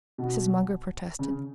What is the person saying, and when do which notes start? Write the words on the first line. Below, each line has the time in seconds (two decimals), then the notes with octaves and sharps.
Mrs. Munger protested.
0.18 B2
1.19 C#3